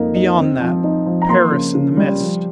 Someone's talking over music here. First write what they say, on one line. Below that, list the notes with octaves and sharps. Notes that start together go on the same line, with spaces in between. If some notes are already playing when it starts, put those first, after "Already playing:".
Beyond that, Paris in the mist!
Already playing: F2 A#3 D#4
D#4
C4
F3
D#4
F3
A#5
A#3 C6
C#3
C#3
G3
F3